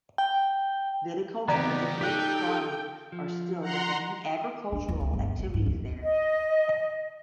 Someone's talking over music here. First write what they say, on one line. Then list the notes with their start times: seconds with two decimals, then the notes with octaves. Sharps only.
Viticulture and mixed farming are still the main agricultural activities there.
0.18 G5
1.48 E2 C#3 B3 D#4 G4 D5 A#5
2.01 D#4 G4 A4 G5 F#6
3.12 F3
3.61 F#5 A#5 C6
4.72 D4
4.89 D#2
5.00 D2
5.13 G1
5.39 A2
5.54 G#2
5.66 D#2
6.04 D#5